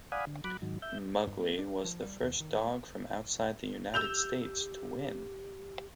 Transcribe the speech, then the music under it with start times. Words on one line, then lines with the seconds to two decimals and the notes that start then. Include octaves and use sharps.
Mugly was the first dog from outside the United States to win.
0.12 D5 F5 F#5 G#5 B5 D#6
0.27 D3
0.44 F#3 B5 D6 F#6
0.62 G#2 D#3 F#3
0.82 E5 G6
1.27 G2
1.39 A#3
1.59 D4
1.84 F3
2.01 G3
2.23 D#2
2.40 D#3
2.57 A3
3.94 G4 E6 G6 F7